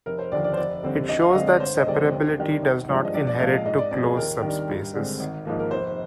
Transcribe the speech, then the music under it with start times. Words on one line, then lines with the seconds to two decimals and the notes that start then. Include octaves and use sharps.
It shows that separability does not inherit to closed subspaces.
0.06 F1 A#4
0.19 C5
0.32 D#2 D3 F3 D5
0.44 D5
0.53 C5
0.57 F1 D5
0.83 D#2 D3 G3 C4
1.09 D2 D#5
1.22 F5
1.35 D3 G#3 C4 D#5
1.47 D5
1.60 G1 C5
1.77 D#5
1.86 F2 C3 D#3 G#3 D5
1.95 C5
2.12 D#2
2.38 D#3 G3 D4
2.63 G#1
2.89 G2 F3 G#3 D4
3.05 D#5
3.14 A#1 D5
3.27 D5
3.40 A#2 F3 G#3 F5
3.53 D#5
3.66 G#2 D#5
3.78 D5
3.91 F3 C4 D5
4.04 G#4
4.17 D#2 A#4
4.42 D#3 G3 D4
4.69 G2
4.94 D3 G#3 C4
5.20 G#1
5.45 G#2 F3 A#3
5.59 A#4
5.71 F1 C5